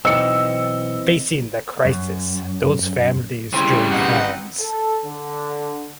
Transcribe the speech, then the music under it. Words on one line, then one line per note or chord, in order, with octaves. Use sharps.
Facing the crisis those families join hands.
B1 E3 C4 D#4 E6 C#7
F#2
C#3 G3 C4 E4
D#4 B4 F#5
A4
D3